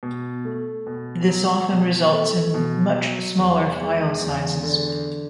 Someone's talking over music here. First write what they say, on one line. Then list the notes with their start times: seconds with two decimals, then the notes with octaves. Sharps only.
This often results in much smaller file sizes.
0.03 B2
0.45 A3
0.87 B2
1.28 F#3
1.71 B2
2.12 A3
2.54 B2
2.96 F#3
3.38 E2
3.80 G#3
4.21 E2
4.63 D3